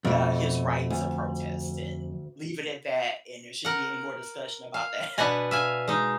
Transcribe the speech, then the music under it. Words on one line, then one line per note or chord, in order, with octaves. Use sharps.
uh, his rights of protest and leave it at that, and there shouldn't be any more discussion about that.
F2 B2 A3
D2
A#4 F#5
F5
B2 D4 B4 F#5 G#5
E5 F5 G#5
G#3 D#4